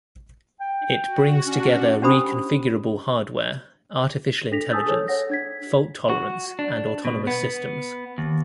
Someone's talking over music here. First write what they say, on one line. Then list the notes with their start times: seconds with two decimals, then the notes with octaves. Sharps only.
It brings together reconfigurable hardware, artificial intelligence, fault tolerance and autonomous systems.
0.61 G5
1.06 F#4
1.45 C#4 D4 F#4
2.02 C#4 D4 G4 C5 B5 D#6
4.52 D4 A4 A#6 B6 F7
4.71 G#5 A5 D#6 E6 G6 A6
4.86 G#4 A4 C5 C#5
5.08 C#5 F#5 A#6
5.30 D4 G#6 B6
6.10 F#4
6.59 D4
7.05 B2
7.27 B3
8.18 D#2